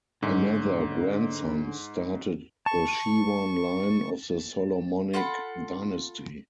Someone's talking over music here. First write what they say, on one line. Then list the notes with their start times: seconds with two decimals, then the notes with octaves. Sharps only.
Another grandson started the Shewan line of the Solomonic dynasty.
0.23 G#2 D3 C#4
2.66 A5 C#6
5.13 F4 A4 F#5 B5